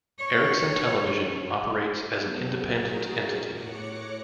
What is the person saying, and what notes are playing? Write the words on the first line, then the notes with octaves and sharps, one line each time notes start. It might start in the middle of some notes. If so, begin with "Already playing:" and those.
Ericsson Television operates as an independent entity.
C#5
F#3 B3 A4
F#4 G#4 A#4 A#5
A2 C#5 D6 F#6 A#6 C#7